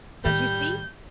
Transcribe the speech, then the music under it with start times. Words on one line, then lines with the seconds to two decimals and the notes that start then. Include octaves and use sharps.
'Don't you see?
0.25 A2 D#3 G3 G6